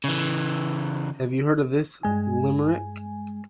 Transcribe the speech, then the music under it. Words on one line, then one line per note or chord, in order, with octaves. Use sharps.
Have you heard this limerick?
C#3 E3
G2 G#3 G#5